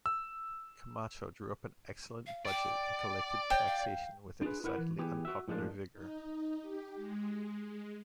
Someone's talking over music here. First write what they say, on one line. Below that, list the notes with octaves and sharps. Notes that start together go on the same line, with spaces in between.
Camacho drew up an excellent budget and collected taxation with a decidedly unpopular vigour.
E6
F5
D5 G5
C#5 G5
F5
D4 F4 G#4 B4
E4 A#4 B4 F#5
E3
E3 B3 G4 G#4
F#4 E5
A2 F3 G#3 A#3 D4
D#4
G4
G#3